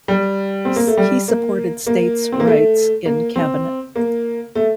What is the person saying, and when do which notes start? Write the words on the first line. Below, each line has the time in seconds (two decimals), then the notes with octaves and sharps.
He supported states' rights in Cabinet.
0.08 G3
0.65 C4
0.76 A#3
0.87 A3
0.97 G3
1.28 A#3
1.87 A#3
2.32 C4
2.40 A#3
2.47 A3
3.06 A#3
3.36 C4
3.96 A#3
4.55 A3